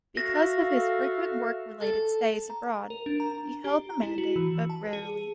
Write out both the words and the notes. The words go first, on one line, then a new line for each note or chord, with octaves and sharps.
Because of his frequent work-related stays abroad, he held the mandate but barely.
F#4 A4 E5 F5 A#6
A4
A#5
A#4
D4
A#5
G4
A#5
E4
F#4
E3
A5
G#4